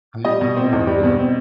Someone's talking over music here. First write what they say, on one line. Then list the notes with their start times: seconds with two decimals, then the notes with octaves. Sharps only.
I know, yeah.
0.25 G3 D#5
0.41 B2
0.57 C4
0.73 E2
0.87 G3
1.03 B2
1.19 C4